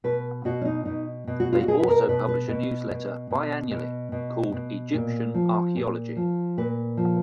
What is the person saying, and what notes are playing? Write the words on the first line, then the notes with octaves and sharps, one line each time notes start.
They also publish a newsletter bi-annually called "Egyptian Archaeology".
B2 B4
B2 F#4
C#4
D#4
B2 D#4
B2
F#4
F4
F#4
B2 G#4
B4
A#4
B2 B4
B4
B2
B2
B2
B2
B2
B2
A#2
F3
A#2
F3
A#2 B4
F3